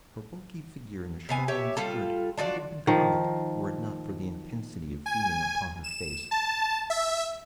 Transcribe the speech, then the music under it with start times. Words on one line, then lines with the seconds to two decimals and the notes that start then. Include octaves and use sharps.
Her bulky figure in a shawl and skirt might have been comic were it not for the intensity of feeling upon her face.
1.29 C3 B3 G#5
1.48 G4 C#5 E5
1.77 G3 F4 A4
2.37 D4 F4 F#4 D5
2.87 D#3 F3
5.06 G#5
5.84 E7
6.31 A5
6.90 E5